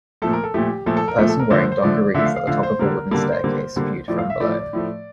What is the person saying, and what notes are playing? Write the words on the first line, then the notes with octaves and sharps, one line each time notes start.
A person wearing dungarees at the top of a wooden staircase viewed from below.
A#2 F3 A3 A4
A#4
A4
A#2 F3 A3 G4
A#2 F3 A3 A4
A4
A#4
A#2 F3 A3
A4
A#4
D3 F3 A3 C5
C5
C5
D3 F3 A3 D5
D3 F3 A3 E5
F5
F5
D3 F3 A3 F5
C5
D3 G3 A#3 A#4
D3 G3 A#3 A4
A#4
C5
D3 G3 A#3
D3 G3 A#3
A2 F3 A3 D5
F5
E5
A2 F3 A3 D5
A2 F3 A3